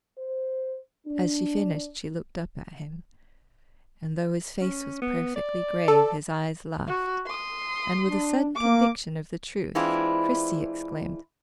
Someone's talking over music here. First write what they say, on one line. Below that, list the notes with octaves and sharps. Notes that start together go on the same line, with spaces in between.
As she finished she looked up at him; and, though his face was perfectly grave, his eyes laughed, and with a sudden conviction of the truth, Christie exclaimed!
C5
D4
C#4
B3
D5
A4
F#4
C6 D#6
D4
A#3 D6
E3 G#3 C4 D4 E4 F4